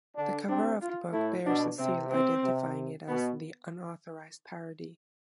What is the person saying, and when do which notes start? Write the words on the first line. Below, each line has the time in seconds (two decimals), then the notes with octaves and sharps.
The cover of the book bears a seal identifying it as The Unauthorized Parody.
0.16 D3 D4
0.48 C3 C4 D4
0.81 F4
1.13 A2 A3 E4
1.46 B2 D4
1.78 C3 C4
2.11 C4
2.43 C3
3.08 B2 B3